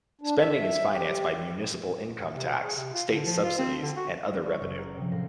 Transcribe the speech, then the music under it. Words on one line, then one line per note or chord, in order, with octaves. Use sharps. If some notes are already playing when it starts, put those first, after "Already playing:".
Spending is financed by municipal income tax, state subsidies, and other revenue.
D4
E5
G4
C3
B2
G#4
C3
F4
D3
F3
F4
C4
D3
F#4
G3 D5
C6 C#6 E6 F6 C#7
F#1
A#5
C3 F3
A2 C5 F5 A#6 C7